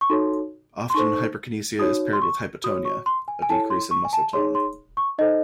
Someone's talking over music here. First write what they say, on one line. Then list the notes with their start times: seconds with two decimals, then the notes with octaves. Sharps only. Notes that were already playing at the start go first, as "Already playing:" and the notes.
Often, hyperkinesia is paired with hypotonia, a decrease in muscle tone.
0.01 C#6
0.10 D#4 F#4 A4 C#5 C6
0.90 C6
0.94 D#4 A4 C5 C#6
1.79 D#4 F#4 C#5 D#6
2.13 C6
2.22 C#6
2.64 F#4 D#6
2.68 C#5
2.85 C#6
3.06 C6
3.28 G#5
3.42 G#5
3.49 E4 A4 C#5 A5
3.70 C6
3.91 C#6
4.05 G#5
4.13 A5
4.33 D#4 G#4 C#5 C6
4.55 C6
4.97 C#6
5.18 D#4 A4 C5 D#5